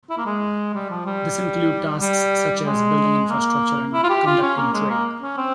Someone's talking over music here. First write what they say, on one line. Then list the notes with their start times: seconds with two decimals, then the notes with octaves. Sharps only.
This includes tasks such as building infrastructure and conducting trade.
0.10 E4
0.18 A#3
0.26 G#3
0.74 G3
0.90 F3
1.06 G3
2.01 G3
2.66 G#3
3.29 A#3
3.93 E4
4.03 F4
4.09 G4
4.26 F4
4.42 C#4
4.57 A#3
4.74 G#3
4.90 A#3
5.22 C#4
5.37 C4